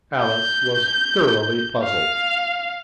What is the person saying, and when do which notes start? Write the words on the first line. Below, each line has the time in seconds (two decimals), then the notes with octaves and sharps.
Alice was thoroughly puzzled.
0.21 G6
1.83 F5